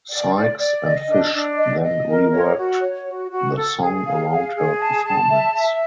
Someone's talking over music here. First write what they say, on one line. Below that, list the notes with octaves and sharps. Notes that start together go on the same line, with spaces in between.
Sykes and Fish then reworked the song around her performance.
D5
D5
D5
D#5
D4
D4
D#5
D#5
A#4
C#5
F#4
C#5
F#4
F#4
A4
G#4
F5
G#4
G#4
A5
A5
E5
E5